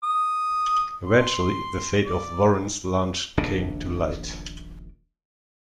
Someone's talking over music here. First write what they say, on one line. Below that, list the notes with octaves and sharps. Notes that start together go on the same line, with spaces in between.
Eventually, the fate of "Warren's" launch came to light.
D#6
C6
D5
D#1 A#1 C#3 D4